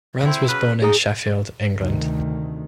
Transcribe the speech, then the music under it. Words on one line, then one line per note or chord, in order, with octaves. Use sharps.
Rands was born in Sheffield, England.
C4 E4
C#3 F#3 B4
D#4 G#4
D2 C3 D#3